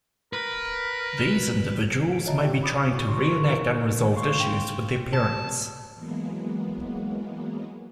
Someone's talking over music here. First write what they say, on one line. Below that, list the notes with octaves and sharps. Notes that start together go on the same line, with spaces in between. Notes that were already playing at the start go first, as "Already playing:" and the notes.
These individuals may be trying to reenact unresolved issues with their parents.
A#4 B4
D7
C#5 D#5 E5 A5 A#5
G4 E5 G5
B5 D6 D#6 A6
A2 F#4
D#4 C6 C#6 A#6
A#4 B4
G#1
F5 C6 C#6 F6
G5 C6
A5
E3 F#3 G#3 A#3 B3